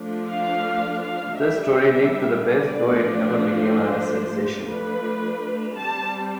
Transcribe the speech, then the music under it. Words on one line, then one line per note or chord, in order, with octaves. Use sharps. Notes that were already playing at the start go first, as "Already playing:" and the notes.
This story leaked to the press, though it never became a sensation.
Already playing: F3 A3 D4
F5
F5
G3 D4 E5
D5
F3 A3 D4
C5
F3 A3 D4
B4
G3 C4 A5